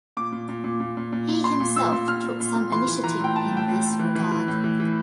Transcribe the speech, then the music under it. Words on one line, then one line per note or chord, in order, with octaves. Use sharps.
He himself took some initiative in this regard.
A#2 D6
A#2
A#2
A#2
A#2
A#2
A#2
A#2
A#2 C6
A#2
A#2 E6
A#2
A#2 F6
A#2
A#2
A#2
E3 C6
E3
E3 A#5
A2 G5
A2 A5
A2 G5
A2
A2
E3
E3
E3
A2
E3
E3